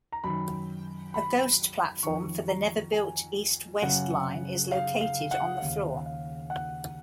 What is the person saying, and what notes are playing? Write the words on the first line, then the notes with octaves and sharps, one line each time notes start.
A ghost platform for the never built east-west line is located on the floor.
A#5
F#2 D#3 B5
B5
F2 D#3 C#6
A#5
G#5
F#2 C#3 F#5
F5
F5
F#5
D#2 C#3 F5
F5
F#5